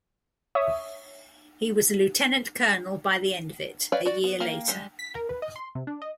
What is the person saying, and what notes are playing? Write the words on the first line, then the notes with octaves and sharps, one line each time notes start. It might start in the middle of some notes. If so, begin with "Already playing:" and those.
He was a lieutenant colonel by the end of it, a year later.
C#5 E5 D#6
B4 C#5 D5 F5 G5
F#4 D5
B3
A#3 F5 G5
G3 G#3 C#4 G4
B6
A#4
B4
D#5
C6
C3
D4
D#5